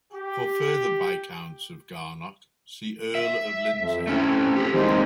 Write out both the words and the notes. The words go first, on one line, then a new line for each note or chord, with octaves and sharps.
For further Viscounts of Garnock, see Earl of Lindsay.
G4
E5
F2
A3 C4 C#4 E4
G4 A4
E3 G#3 A#3 C4 D#4 C5